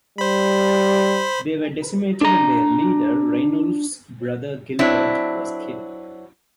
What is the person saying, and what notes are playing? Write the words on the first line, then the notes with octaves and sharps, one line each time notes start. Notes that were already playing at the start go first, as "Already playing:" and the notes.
They were decimated and their leader, Rainulf's brother Gilbert, was killed.
G3 C5 B5
D4 A#5
F#3 C4 D4 E4